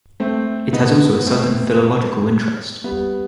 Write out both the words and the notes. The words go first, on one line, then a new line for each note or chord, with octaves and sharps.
It has also a certain philological interest.
A3 C4
B3 D#4
A3 C4
G3 B3